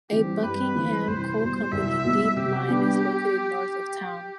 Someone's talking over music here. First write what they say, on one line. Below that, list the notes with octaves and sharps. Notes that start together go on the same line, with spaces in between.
A Buckingham Coal Company deep mine is located north of town.
E3 G3 C4 G4
G2 B4
E3 G3 C4
C2 C5
B2 G3
C2 E5
B2 G3
C3 G4
G3 B3 D4